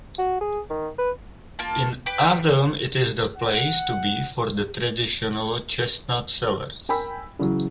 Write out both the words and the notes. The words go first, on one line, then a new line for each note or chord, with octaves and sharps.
In autumn it is the place to be for the traditional chestnut sellers.
F#4
G#4
D#3
B4
A#3 F4 A5
B4 G5 D6
F#5
A#4 G5 G#5 B5 E6
C#3 E3 F#3